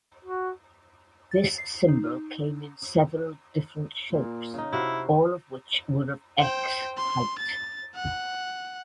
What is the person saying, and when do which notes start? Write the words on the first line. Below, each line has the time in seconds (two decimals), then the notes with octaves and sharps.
This symbol came in several different shapes, all of which were of x-height.
0.25 F#4
1.31 A6
1.58 C7
1.88 D#4
4.12 A#2
4.54 C#3 D#4
4.72 C3 E4 F#4 F5
6.39 C5 G5
6.97 C6
7.38 A6
7.95 F#5